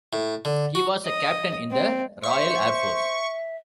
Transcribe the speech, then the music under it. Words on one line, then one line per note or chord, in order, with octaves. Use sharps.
He was a captain in the Royal Air Force.
A2
D3
F#4
D#5
C4
C5 E5 C#6